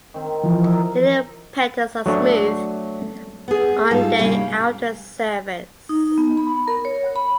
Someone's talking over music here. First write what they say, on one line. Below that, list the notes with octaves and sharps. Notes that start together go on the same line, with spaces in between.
The inner petals are smooth on their outer surface.
D#3 C4
E3 F3
A#4 D#5 E5
F#3 A3 D4 C#5
B3 G#4
G#2 G3 F4 A4 A#5
C3 G3 A#3 C#4 D4
D#4
B3
B5
A#4
C#5
B5